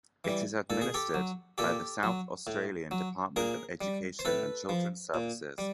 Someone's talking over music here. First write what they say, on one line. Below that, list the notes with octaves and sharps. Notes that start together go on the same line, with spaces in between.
It is administered by the South Australian Department of Education and Children's Services.
E3 G3
A#2 A4
G#4
G4 A4
F#3
A#2 G4 A4
F#3
A2
F#3
A#2 G#4 A#4
G3
C5
A2 A4 B4
F3
A#2
G3